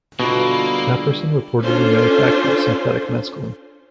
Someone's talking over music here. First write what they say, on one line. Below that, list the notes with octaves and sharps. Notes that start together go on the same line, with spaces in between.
Apperson reportedly manufactured synthetic mescaline.
B2 D3 G3 A#3 E4 F4
C#4 D4 F4 A4 C5